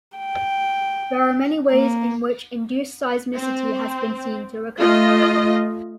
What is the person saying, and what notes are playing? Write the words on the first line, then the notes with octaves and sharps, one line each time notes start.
There are many ways in which induced seismicity has been seen to occur.
G5
A#3
C4
A3 F4 D#5